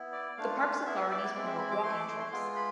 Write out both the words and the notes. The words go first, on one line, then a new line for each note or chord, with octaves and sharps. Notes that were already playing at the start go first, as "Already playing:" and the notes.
The park's authorities promote walking trips.
Already playing: B3 E4
D5
A3 D4 F4 F5
F5
B3 E4 E5
D5
G#3 C4 E4 D5
E5
B5
D6
A3 E4 C6
D6
C6
C6
G#3 B3 F4 C6
B5